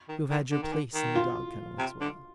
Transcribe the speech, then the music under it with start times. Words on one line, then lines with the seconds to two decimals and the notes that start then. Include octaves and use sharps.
You have had your place in the dog-kennel as well.
0.09 D#3
0.30 D#3
0.51 D3
0.62 D#3
0.73 D3
0.94 D#3
1.15 F4
1.79 C3
2.01 D3